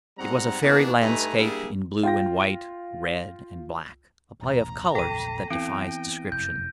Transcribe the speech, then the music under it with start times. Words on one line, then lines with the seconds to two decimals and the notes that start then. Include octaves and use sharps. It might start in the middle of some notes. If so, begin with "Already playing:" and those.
It was a fairy landscape in blue and white, red and black, a play of colours that defies description.
0.18 G#2 G3 C4 F#5 A#5
0.61 E3 A#3 B3 D4 D#4
1.01 G2 A3 D#4 B4 G#5 A#5
1.37 G3 A#3 D4 E4 G#4
2.03 F4 G5 A#6
4.42 E1 A1 B2 A#5
4.95 A#1 E2 A#2 A4 G5 A#6 D#7
5.50 E3 B3 C4 E4 G5 D7
6.32 F1 F#2 G6